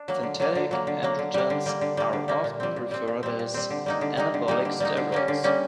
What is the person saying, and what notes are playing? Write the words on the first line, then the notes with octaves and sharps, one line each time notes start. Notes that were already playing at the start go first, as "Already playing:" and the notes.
Synthetic androgens are often referred to as anabolic steroids.
Already playing: D4
F#3 A#3
D3
F#3 A#3
D3
F#3 A#3
D3
F#3 A#3
D3
G3 A#3
D3
G3 A#3
D3
G3 A#3
D3
G3 A#3
A#2
G3 C4
A#2
G3 C4
A#2
G3 C4
A#2
G3 C4
D3
G3 A#3 D#4
D3
G3 A#3 D#4
D3
G3 A#3 D#4
D3
G3 A#3 D#4
D3
G3 A#3 C#4
D3
G3 A#3 C#4